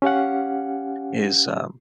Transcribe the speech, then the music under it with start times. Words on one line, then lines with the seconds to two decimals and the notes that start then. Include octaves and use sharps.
is, um,
0.02 C#4 G4 F5 F#5